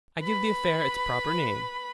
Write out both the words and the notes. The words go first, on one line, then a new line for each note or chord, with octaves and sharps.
I give the affair its proper name.
B4 B5